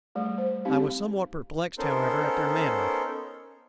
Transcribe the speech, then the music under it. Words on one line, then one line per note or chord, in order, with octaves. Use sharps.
I was somewhat perplexed, however, at their manner.
G3 A3 G#4
C5
C4 D#4 G4 F5
B3 C#4 D#4 A4 A#4 C5